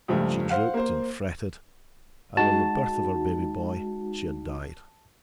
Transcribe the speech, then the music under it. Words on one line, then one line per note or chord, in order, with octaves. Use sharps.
She drooped and fretted, and on the birth of her baby boy, she had died.
C#2 G2 F3 A3
C5 F5 F#5
A#3 C5
G#3 D#4 F#4 A5